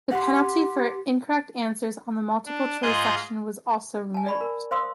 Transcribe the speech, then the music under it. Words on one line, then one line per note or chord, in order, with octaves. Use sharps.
The penalty for incorrect answers on the multiple choice section was also removed.
G4 F#5 C6
D4
G#2 F4 G#4 D#5 D#6 G6
G#5 A5
D5 B5 C#6
A#4
C5 F5 C6 D#6 E6